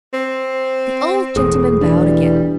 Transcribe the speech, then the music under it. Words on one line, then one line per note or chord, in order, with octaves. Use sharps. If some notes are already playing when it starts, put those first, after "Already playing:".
The old gentleman bowed again.
C4
E1 E2 A2 G#4 D#6
E3 G3 D4